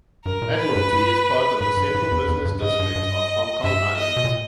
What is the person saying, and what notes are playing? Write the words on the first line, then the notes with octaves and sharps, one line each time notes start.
Admiralty is part of the Central Business District of Hong Kong Island.
G2 A#4
A#2
B4
G2
G2
G#2 B4
G2
G#2
E2
E2
G2
G#2 D#5
G2
G2
G2 E5
D#5
B2
A#2